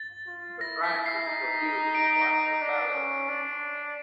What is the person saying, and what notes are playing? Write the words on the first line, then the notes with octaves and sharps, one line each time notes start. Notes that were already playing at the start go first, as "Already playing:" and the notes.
The track was produced by Othello.
Already playing: A6
F4
E4 A#6
B6
B6
C7
D#4
D7
D4
C#4
D4